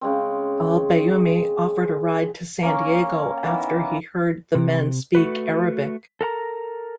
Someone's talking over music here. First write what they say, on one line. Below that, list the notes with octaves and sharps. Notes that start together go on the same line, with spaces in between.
Al-Bayoumi offered a ride to San Diego after he heard the men speak Arabic.
C#3 G#3 C4
A#3 C#4 A#4
D#3 E3 A#3 B3
C3
A3 F#4 B4
A4 A#4 F#5 A#5